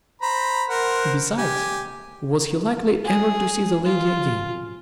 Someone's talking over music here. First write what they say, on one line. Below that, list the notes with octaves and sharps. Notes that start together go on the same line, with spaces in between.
Besides, was he likely ever to see the lady again?
C5 A#5 B5
A#4 C5 F#5
G4 G#5
G#4
F4